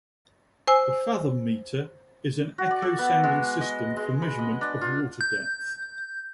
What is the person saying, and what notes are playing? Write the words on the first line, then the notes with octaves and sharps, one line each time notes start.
The fathometer is an echo sounding system for measurement of water depth.
C5 G#5 E6
F#4
D5
A4
B3
G#3
D#5
G#3
B5
D#5
D4
F4
G6